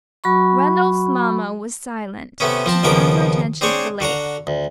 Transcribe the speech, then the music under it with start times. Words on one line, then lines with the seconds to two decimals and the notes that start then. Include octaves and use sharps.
Randolph's mamma was silent; she turned her attention to the lake.
0.24 F#3 F#4 B5 C#6
2.40 C3 A3 B3 C#4
2.66 F3 C4 A5
2.83 D#2 C#3 F3 B3 A#4 D6
3.61 C4 D4 G#4 C5 C#5
4.00 D3 F#4 F5 A#5
4.47 D2